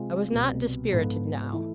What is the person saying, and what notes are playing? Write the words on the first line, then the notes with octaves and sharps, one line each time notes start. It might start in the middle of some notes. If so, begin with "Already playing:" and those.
I was not dispirited now.
Already playing: C3 G#3 C4 F4 G#4
C2 B2 B3
G#2 F3 B3 F4 A4
E3 A3 E4 A4